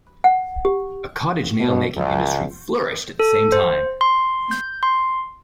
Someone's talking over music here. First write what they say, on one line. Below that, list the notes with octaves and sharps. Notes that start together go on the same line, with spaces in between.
A cottage nail making industry flourished at the same time.
F#5
G4
B2
C#2
A4
C5
C6
G6
C6